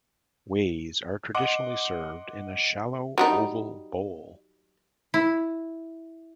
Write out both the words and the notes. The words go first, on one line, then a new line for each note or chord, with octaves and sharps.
"Ways" are traditionally served in a shallow oval bowl.
D#5 F#5 C6 D6
F#3 G3 D#4
E4